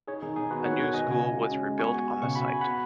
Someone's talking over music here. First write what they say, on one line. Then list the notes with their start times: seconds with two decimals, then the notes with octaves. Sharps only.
A new school was rebuilt on the site.
0.08 D#4 G#4 C#5
0.22 D#3 D#4 G#4
0.36 D#3 D#4 G#4
0.51 B3 F#4 B4
0.65 D#3 C#5 F#5
0.79 D#3 C#5 F#5
0.94 F#4 D#5 G#5
1.08 C#3
1.22 F#4
1.37 G#3
1.51 C#4
1.65 G#3
1.79 B3 G#5 C#6
1.94 F#4
2.08 F#4
2.22 C#3 C#6
2.35 F#4 B5
2.48 F#4 G#5
2.61 B3 F#5 B5